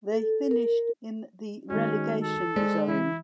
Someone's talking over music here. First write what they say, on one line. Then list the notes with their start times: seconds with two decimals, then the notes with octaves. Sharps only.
They finished in the relegation zone.
0.12 A4
0.51 A#4
1.70 D#3 G#3 C#4 F#4
2.22 A4
2.56 G#3 C5 D5
2.88 E3 E4